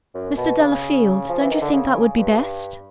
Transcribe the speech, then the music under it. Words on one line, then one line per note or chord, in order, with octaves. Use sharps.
Mr. Delafield, don't you think that would be best?...
F#2
B2
C#3
F3
E3
D#3
D3
C#3
G2